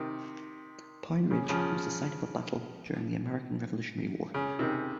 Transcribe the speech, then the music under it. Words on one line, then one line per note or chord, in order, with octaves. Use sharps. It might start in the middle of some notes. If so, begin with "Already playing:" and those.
Pound Ridge was the site of a battle during the American Revolutionary War.
Already playing: C3 D#3
C#3
C#3 F3
C#3
C3 D#3